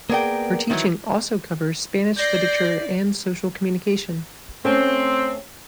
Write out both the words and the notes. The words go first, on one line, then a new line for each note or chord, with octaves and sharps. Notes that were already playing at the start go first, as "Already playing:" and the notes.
Her teaching also covers Spanish literature and social communication.
A#3 B3 G#4 A#4 D5 G5
D#3 E3 F#3
D5 G6 A#6 C7
A3 C4 C#4